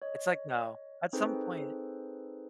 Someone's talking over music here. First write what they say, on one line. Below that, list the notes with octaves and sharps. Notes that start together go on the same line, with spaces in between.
It's like, no, at some point
C#5 D#5
C4 D#4 G#4 A4 B4 C5